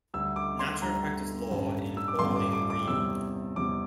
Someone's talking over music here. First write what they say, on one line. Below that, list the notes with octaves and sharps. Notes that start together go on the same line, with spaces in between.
Natcher practiced law in Bowling Green.
D2 D3 G3 E6
D6
C6
D2 D3 G3 A#5
A1 G2 D3 G3
E6
D6
A1 G2 D3 G3 C6
D6
D6
D6
E2 C3 G3 E6
E2 C3 G3 D6